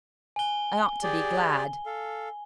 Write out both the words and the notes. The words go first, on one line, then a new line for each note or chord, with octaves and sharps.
I ought to be glad.
G#5 G7
G4 G#4 D5
A4 F5